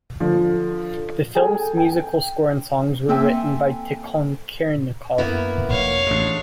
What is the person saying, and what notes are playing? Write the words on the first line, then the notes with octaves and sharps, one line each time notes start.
The film's musical score and songs were written by Tikhon Khrennikov.
D3 F3
G#4 A4 G5 G#5
G5
A#3 C4 A4 E5 G5 G#5
F#2 A#3 B3 E4
F1 A#2 C#5 F5 F#5
A1 A2 G#3 D4